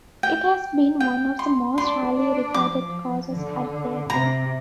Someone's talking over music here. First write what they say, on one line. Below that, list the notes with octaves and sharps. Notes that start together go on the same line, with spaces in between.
It has been one of the most highly regarded courses at Berkeley.
G5
G5
C6
D4 C6
D4
F3 D6
D3
C3 A#5